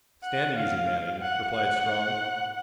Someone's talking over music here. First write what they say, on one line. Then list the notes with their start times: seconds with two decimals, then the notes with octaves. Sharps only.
"Stand easy, Manning," replied Strong.
0.23 F#5
0.57 F5
1.21 F#5
1.53 F#5